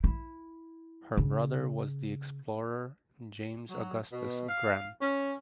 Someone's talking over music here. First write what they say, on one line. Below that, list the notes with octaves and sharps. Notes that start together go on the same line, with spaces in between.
Her brother was the explorer James Augustus Grant.
E4
C#3
F#3
B2
F5
C#4